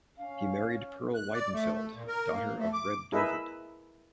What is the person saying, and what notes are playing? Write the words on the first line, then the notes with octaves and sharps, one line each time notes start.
He married Perl Weidenfeld, daughter of Reb Dovid.
C#4 F5
F#6
D5
A3
A3
A#2
A#4
A#3
A3
D6
E4 G#4 A#4 B4 D#5 E5